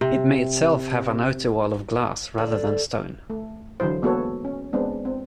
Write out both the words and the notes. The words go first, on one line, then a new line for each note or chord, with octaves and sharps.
It may itself have an outer wall of glass rather than stone.
C3
D3
A3
D3 E3 F#3 E4 C5
G#3 A#3 B3 F#4 A4 C#5
C#4
G#3 B3 C4 D4
C4